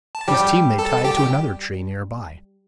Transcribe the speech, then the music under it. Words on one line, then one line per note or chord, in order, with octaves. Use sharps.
His team they tied to another tree near by.
A5
G3 G4 G5
A4 A5
G4 G5